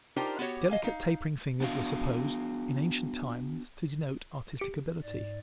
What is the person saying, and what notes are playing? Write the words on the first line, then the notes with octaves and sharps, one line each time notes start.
Delicate tapering fingers were supposed in ancient times to denote artistic ability.
D4 D#4 F4 G4 A#4 C5
B3 F#4 G4 C#5
D#5 F5 G#5
D#4 F5
B3 D4 F#4 F5
G4 C#7 D7
G#2 D5